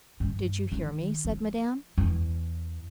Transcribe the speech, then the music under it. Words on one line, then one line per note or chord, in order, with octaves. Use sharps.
"Did you hear me?" said Madame.
G2
D#3
F3
E2